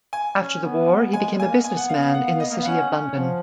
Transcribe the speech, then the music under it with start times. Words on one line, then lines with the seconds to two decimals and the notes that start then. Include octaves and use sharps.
After the war, he became a businessman in the City of London.
0.13 G#5
0.38 C#4
0.63 B3
1.13 G#3 G#5
1.39 A#3 G#5
1.64 B3 G#5
1.77 F#5
1.89 F5
2.02 F5
2.14 F#5
2.27 F5
2.40 D#5
2.50 A#3
2.53 B3 F5
2.65 C#4 F#5
2.90 C#4
3.17 F3